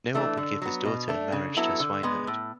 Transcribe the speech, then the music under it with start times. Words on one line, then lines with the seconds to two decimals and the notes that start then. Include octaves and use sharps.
No one would give his daughter in marriage to a swineherd.
0.14 E3 A3 D4
0.37 D3
0.62 F#3 B3
0.85 B2
1.08 A3 D4
1.32 C#3
1.57 F#3 B3 E4 A4
1.80 D3
2.03 G#3 B3
2.27 A2